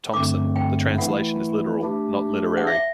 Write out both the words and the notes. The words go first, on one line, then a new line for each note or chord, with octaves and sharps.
Thomson; the translation is literal, not literary.
G2 D3 A3 C4 D6
G5
E3 A3 E4 F#5
A3 D4 G4
F#5
E5